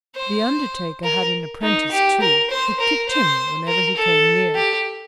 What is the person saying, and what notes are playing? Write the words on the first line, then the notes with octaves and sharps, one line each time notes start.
The undertaker had an apprentice, too, who kicked him whenever he came near.
C5
A#4
D#4
G4
A#4
C5
A#4
C5
A#4
A4
G4